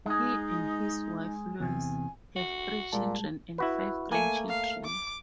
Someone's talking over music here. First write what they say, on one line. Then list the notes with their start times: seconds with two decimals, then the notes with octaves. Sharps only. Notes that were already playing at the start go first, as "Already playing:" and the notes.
He and his wife, Lois, have three children and five grandchildren.
0.06 G#3 D#4 G#4
1.60 E2 C3 G#5
2.36 F#4
2.92 A#2 G3 G#3 A5
3.58 E4 F#4 B4
4.12 A3 A#3 G#5
4.49 F5
4.85 D6